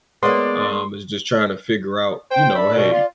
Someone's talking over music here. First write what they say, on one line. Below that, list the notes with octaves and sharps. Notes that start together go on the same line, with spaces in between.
um, is just trying to figure out, you know, "Hey,
G#3 A#3 B3 C#5 D5 C6
C5 G5
D4 D5 E5 B5
D#2 B2
F4